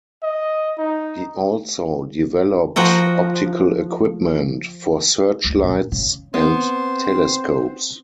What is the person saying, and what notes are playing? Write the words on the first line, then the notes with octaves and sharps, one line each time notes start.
He also developed optical equipment, for searchlights and telescopes.
D#5
D#4
F3 F#4 G5 A#5
D2
A#2
C#3
B3 C4 C5